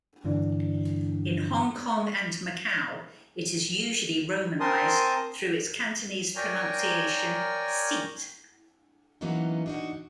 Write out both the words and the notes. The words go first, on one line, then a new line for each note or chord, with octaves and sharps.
In Hong Kong and Macau it is usually romanized through its Cantonese pronunciation Sit.
G2 D3 E3 D4
C4 A#4 G#5 A5 C6 D#6
A#4 C#5 D5 G5 G#5 A#5
E3 F#3 A#3 B3 C#4 D#4
D4 D#4 F#4